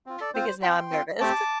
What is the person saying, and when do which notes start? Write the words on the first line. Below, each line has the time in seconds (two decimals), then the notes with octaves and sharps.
Because now I'm nervous.
0.06 C4 F4
0.20 A4 D5
0.34 C4 F4 C5
0.63 C4 F4 G5 C6
0.91 C4 F4
1.20 A3 C4 G4 A5 D6